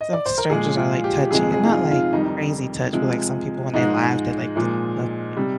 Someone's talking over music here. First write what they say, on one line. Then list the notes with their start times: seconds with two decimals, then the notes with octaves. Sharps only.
some strangers are like touchy and not, like, crazy touch, but like some people when they laugh, they like to h uh, like,
0.01 D#5
0.13 D5
0.26 C5
0.38 A#4
0.50 A#2 F3 G#3 G#4
0.77 F4
1.04 G4
1.31 F2 C3 F3 G#3 G#4
1.52 G#4
1.65 D#4
1.72 F4
1.91 F4
2.13 F2 D#3 G3 D#4
2.26 D#4
2.93 C3 F3 G#3
3.74 G#2 F3 G#3 D#4
4.56 A#2 F3 G#3
5.37 C3 G3